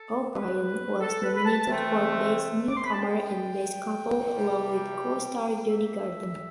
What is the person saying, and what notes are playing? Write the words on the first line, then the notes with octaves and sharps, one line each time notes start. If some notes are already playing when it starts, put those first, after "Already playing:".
O'Brien was nominated for "Best Newcomer" and "Best Couple" along with co-star Jodi Gordon.
Already playing: A4
B4
A4
B4
B5
A5
C3 E3 A3 C4
D6
C6
B5
A5
G5
E2 C3 G3
E5